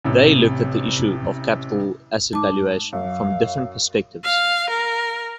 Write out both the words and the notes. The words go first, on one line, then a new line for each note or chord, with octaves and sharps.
They looked at the issue of capital asset valuation from different perspectives.
A1 C3
G#2 A5 D6
F#2 F5
F5
A#4